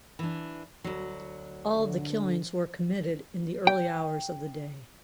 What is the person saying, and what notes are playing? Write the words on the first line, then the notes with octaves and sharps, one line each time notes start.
All of the killings were committed in the early hours of the day.
E3 D4
D2 F#3
D3
G5